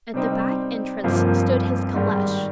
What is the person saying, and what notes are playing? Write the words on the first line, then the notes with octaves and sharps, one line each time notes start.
At the back entrance stood his caleche.
C3 G3 C4 D#4
G1 F2 C3 F3 A#3
G#2 D#3 G3